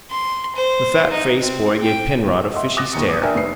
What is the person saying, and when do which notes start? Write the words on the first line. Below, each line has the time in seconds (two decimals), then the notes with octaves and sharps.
The fat-faced boy gave Penrod a fishy stare.
0.10 C6
0.56 C5
1.11 D#4
1.41 C4
1.81 G5
2.54 D#5 E5 F#5 C6
2.77 D6 D#6 F#6 A6 A#6
2.93 D#2 D#3 C#7
3.09 D6 D#6
3.23 D4 A#4 E5 G5 G#5
3.35 F1 B4 C7